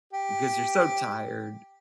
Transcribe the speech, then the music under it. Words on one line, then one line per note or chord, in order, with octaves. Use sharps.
because you're so tired.
G4